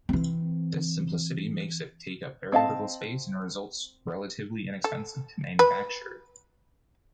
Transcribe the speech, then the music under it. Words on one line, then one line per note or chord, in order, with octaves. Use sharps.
This simplicity makes it take up very little space and results relatively inexpensive to manufacture.
E3 C4
C4 D#5 F5 A5
A4
B4